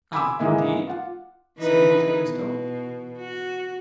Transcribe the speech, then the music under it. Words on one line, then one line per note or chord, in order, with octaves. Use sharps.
"Ah, indeed?" said Monte Cristo.
G#5 B5 C6 D6 E6
G#2 E3 G#3 A#3 E5
F4 F#5
E3 D#4 B4
B2
F#4